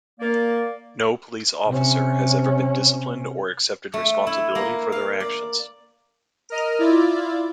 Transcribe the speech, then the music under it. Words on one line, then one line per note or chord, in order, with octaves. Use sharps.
No police officer has ever been disciplined or accepted responsibility for their actions.
A#3 D5
C3 C#4
A3
E4
A#3
F5
D5
A#4 D#5 F6
E4 F4 D5